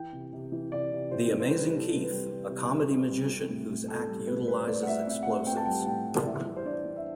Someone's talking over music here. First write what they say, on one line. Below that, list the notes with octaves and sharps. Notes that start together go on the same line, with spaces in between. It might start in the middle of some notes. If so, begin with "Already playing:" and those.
The Amazing Keith: A comedy-magician whose act utilizes explosives.
Already playing: E3 G5
C3
C3
E3
C3 D5
C3
E3 C5
E3
C5
G3 B4
C3 B4
A4
C3
B4
G3
G3
C3
C3
C3
G3
C4
A2
A2
A2 A4
G3
A2 B4
A2 B4
C5
A2 D5
F#5
A2 E5
C4 E5
F#5
A2 E5
C4 G5
A5
G3 G5
A2 G5
G3
D5
E3 E5
E3
C5
D4 D5
D4
E5